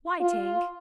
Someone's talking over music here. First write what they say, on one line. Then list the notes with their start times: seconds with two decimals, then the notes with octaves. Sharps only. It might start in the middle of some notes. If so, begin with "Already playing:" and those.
"Why, Tink?"
0.21 F4